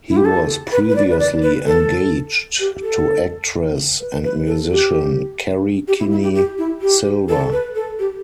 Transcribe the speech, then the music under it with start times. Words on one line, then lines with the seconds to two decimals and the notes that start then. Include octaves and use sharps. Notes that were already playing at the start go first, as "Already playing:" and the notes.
He was previously engaged to actress and musician Kerri Kenney-Silver.
0.09 E4
0.17 G4
0.25 A4
0.72 B4
0.89 B4
0.96 D5
1.11 B4
1.19 D5
1.42 B4
1.66 A4
2.60 G4
2.83 A4
4.00 B4
4.24 B4
4.47 A4
4.71 G4
5.88 G4
5.99 E4
6.11 E4
6.23 G4
6.35 G4
6.58 E4
6.81 G4
7.29 A4
7.52 B4
7.75 A4
7.99 G4